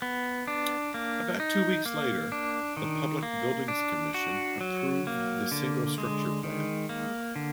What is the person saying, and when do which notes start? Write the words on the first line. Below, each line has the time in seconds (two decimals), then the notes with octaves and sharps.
About two weeks later, the Public Buildings Commission approved the single structure plan.
0.02 B3
0.47 D4
0.94 A#3
1.40 D#4
1.86 A#3
2.32 D4
2.77 D#3
3.23 A#3
3.68 D4
4.14 F#4
4.61 F#3
5.07 A#3
5.52 D3
5.98 G#3
6.43 D#3
6.89 A#3
7.36 D3